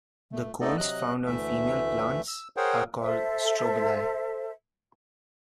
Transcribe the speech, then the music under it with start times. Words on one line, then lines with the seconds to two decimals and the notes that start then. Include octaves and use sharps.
The cones found on female plants are called strobili.
0.32 A3
0.61 A3 B3 D#4 A4 D5 D#5
0.77 C3 F#3 D#5 F#6
1.26 D2 E3 A3 E5
2.28 E6
2.57 G#4 A#4 C5 C#5 F#5 G5
2.99 A4 C5 E5